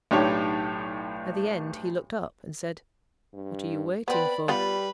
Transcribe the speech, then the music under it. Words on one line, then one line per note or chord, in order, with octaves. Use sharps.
At the end, he looked up and said, 'What are you waiting for?'
B1 A2 D4 D#4 G4 C#5
G2
B3 C4 B4 D5 B5
G3 B3 F4 G4 B4